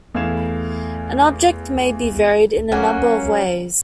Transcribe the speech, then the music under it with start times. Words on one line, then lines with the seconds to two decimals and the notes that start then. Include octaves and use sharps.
An object may be varied in a number of ways.
0.15 E2 A3 E4 F5 G#6 E7
2.72 F#3 A#3 C#4